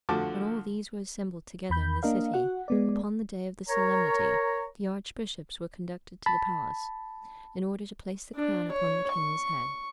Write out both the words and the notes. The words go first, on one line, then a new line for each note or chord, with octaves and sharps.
When all these were assembled together in the city, upon the day of the solemnity, the archbishops were conducted to the palace, in order to place the crown upon the king's head.
D3 F3 A3 F#4 A5 D6
E2 B5 G6
A#3 D4 A#4 D#5 F5
F#4 F#5
G#3 B3 D5
A#4 C#5 A#5
A5 B5
D4
C#5
C#6